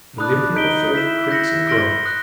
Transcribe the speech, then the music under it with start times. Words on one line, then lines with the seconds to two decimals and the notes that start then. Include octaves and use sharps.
Olympia afraid of creaks and groans?
0.18 D4 B5 D#6 F#6
0.55 D#4 G6 B6 D7 G7
0.93 E4 G6 B6 E7
1.31 G6 A#6 C#7 F#7
1.69 C6 F6 A#6 D7 G7
2.05 D#6 F#6 A#6